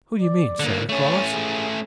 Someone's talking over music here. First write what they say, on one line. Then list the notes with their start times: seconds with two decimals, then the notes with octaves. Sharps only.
"Who you mean--Santa Claus?"
0.21 D5
0.60 D3 A#3
0.89 A3 C#4 C#5
1.32 G#4